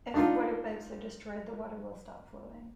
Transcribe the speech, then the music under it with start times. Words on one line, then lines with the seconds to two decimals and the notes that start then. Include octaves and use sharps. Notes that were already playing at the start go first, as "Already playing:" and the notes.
If water pipes are destroyed the water will stop flowing.
0.14 D4 D#4 F4